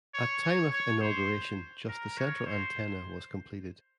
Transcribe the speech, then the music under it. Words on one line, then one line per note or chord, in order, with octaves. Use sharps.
At time of inauguration just the central antenna was completed.
C#5
C#5
C#5
C5
A#4
C#5
C5